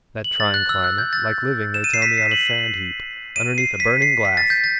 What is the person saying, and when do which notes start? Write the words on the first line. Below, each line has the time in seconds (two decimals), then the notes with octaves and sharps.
'That trying climate!--like living, they tell me, on a sand-heap, underneath a burning-glass!
0.24 F#7
0.40 A6
0.54 F#6
0.69 E6
0.84 F#6
0.98 G6
1.13 A6
1.74 E7
1.84 D#7
1.94 C7
2.02 B6
2.18 C7
2.31 F#7
3.36 D#7
3.58 C7
3.80 B6
4.02 C7
4.25 B6
4.37 A6
4.50 G6
4.64 A6